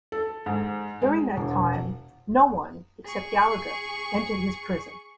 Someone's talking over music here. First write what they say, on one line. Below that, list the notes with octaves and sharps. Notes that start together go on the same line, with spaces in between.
During that time no one, except Gallagher, entered his prison.
A4
G#2
G#3
E1
G#4 C#6